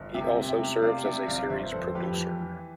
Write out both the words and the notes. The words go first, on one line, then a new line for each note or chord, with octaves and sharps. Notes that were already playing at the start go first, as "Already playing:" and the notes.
He also served as a series producer.
Already playing: G1
C3 E5 G5
C3
E5 G5
C3
C3 D5 F5
C3 E5 G5
G1 D5 F5
G1 C5 E5
F2 A4 C5
F2 G4 B4
E3
E3